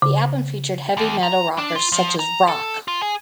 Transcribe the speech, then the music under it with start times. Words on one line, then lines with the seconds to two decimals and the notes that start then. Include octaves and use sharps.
The album featured heavy metal rockers such as Rock!
0.02 C#3
0.97 D#2
1.23 A#5
1.58 D4
1.76 F4
1.92 F3
2.19 A#5
2.48 A4
2.88 F4
3.02 G#4